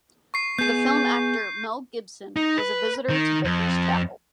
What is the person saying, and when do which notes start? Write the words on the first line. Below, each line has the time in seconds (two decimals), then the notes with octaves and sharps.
The film actor Mel Gibson was a visitor to Baker's chapel.
0.34 C#6 C7
0.59 B3 G#4 G6 C7
2.36 D#4
2.58 B4
3.10 D#3
3.45 F2